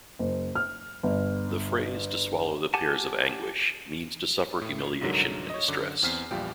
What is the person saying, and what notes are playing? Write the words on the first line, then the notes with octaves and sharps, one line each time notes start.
The phrase "to swallow the pears of anguish" means to suffer humiliations and distress.
F#1
F6
G1
G4 F#5 G#5 A5
A2
C2 G#2 D3 F#3 A#4
C#5 D#5
F#2 D3 D6
E2 C4 F6 B6 C7
A#1 E2 G3 F4 G5